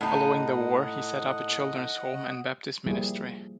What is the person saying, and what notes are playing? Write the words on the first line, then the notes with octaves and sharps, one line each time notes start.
Following the war he set up a children's home and Baptist ministry.
A2 D#4 D#5 F#5
F3 G3 A#3 E4 G#4